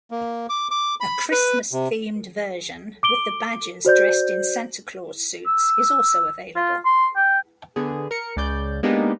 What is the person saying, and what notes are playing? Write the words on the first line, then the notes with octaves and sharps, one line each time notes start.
A Christmas-themed version, with the badgers dressed in Santa Claus suits, is also available.
A#3
D6
D6
B5
B4
C3
D6 D7 G7
F#4 C5 D5 G6
E6
F4
C6
G5
D3 B3 G#4
A#4 C#7
C#2 C#3 D5 G6
G#3 A#3 B3 D4 D#4 G4